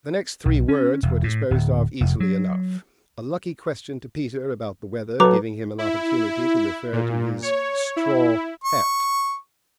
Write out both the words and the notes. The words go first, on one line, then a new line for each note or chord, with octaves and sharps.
The next three words were disposed of easily enough, a lucky question to Peter about the weather giving him an opportunity to refer to his straw hat.
B1
C#4
E1
A2
D1
F1
F#3
F#3 A4 B4 A#5 D6
E4
A#2
C#5
E4
C#6